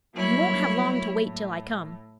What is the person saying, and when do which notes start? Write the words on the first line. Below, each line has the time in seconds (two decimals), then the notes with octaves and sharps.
You won't have long to wait till I come.
0.14 F#3 G3 A#3 E4 C#5
1.23 A2